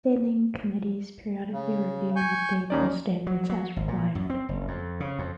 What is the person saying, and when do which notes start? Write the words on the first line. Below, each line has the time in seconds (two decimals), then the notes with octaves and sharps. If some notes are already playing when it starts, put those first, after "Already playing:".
Standing committees periodically review and update the standards as required.
1.52 C#3
2.16 G#5 C#6 G6
2.70 D#2 C#4 D#4 D5
3.27 F#3
3.50 F#3
3.76 G#1
3.88 A#2
4.15 F#2
4.30 C4
4.49 F#1
4.68 F2
5.00 C#3
5.19 F2